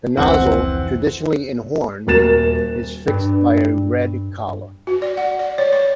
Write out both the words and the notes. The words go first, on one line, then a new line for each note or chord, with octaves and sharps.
The nozzle, traditionally in horn, is fixed by a red collar.
F1 C#2 E3 C4 F#5
D#1 F#4 A#4 A6 E7
G2
F#4
D5
F#5
D5
C#5
C#5